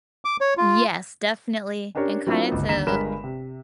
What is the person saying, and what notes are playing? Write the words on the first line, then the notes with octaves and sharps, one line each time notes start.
Yes, definitely, and kinda to
D6
C#5
F4
C#4 D4 G4 A#4 C#5
F#3 A#3 C4 D4 E4 F4
G1 C#2
D#2 D3 A#5 B6 E7
G1 G2 G#3 A#4 B5 E7
C3